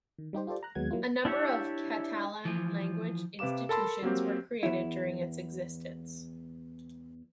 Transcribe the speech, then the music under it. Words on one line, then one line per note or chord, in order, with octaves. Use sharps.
A number of Catalan-language institutions were created during its existence.
D#3
G3 D#4 G4 C5
F4 G4 A4 C5 D5
A#5 F#6
D#2 F#3 G#3 B3 F#5 G#6
F#3 A#3 E4 F4
D4 E4 G4 C#5 E5
E3 F3
C3 B4 F5 D6 E7
A4 A#4 A5 B5 C6 E6
F#3 A#3 C4 G4
E2 E4